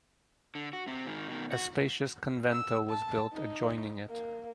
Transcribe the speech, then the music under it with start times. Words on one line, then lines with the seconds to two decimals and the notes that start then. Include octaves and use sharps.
A spacious convento was built adjoining it.
0.55 D3
0.73 F#4
0.88 C3 C4
1.06 G#2 D#3
1.28 B2 D#3
1.52 F#4
2.52 E6
2.90 A5
3.33 D#4
4.10 A#3